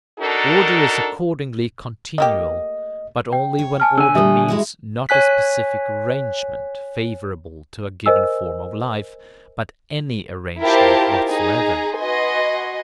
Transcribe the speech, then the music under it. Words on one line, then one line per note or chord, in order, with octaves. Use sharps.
Order is accordingly continual; but only when order means not a specific arrangement, favourable to a given form of life, but any arrangement whatsoever.
D4 D#4 F#4 A4 A#4
A3 A#3 G4 D#5
G5
C#5
G#5 A5 F6
D3 G#5 E6
G3 A3 E5 D#6
G#3 E4 F#4
C#5 G#5 F#6 B6
A#4 C5 D#5 G#5 E6
E4 F4 G4 A#4 C5 A5
D#4 G#4 A#5
F#4 B4 D#5 G#5 C6